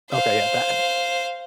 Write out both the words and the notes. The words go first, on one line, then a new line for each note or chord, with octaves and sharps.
Okay, yeah, that
C5 F5